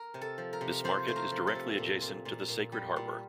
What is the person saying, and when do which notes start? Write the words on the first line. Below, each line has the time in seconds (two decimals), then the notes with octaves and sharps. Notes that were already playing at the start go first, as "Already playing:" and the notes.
This market is directly adjacent to the Sacred Harbour.
Already playing: A#4
0.14 C3
0.21 A4
0.38 F3
0.53 A#4
0.61 C3
0.84 F3 C5
1.07 A3 C5
1.16 A#4
1.32 F3
1.47 A4
1.55 C3
1.78 A#2
2.02 A#2
2.25 A#2
2.49 A#2
2.72 G3
2.96 A#2